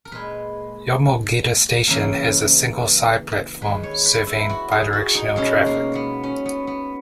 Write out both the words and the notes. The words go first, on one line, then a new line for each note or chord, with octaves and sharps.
Yomogita Station has a single side platform serving bidirectional traffic.
A#4
A#2 G#3 B4
C#3 E3 A#3 A#4
D#3 G#3 B4
C#5
B4
E4
F#4
G#4
F#4
D#4
B2 G#3 C#4
A#3
B3
C#4
B3
B3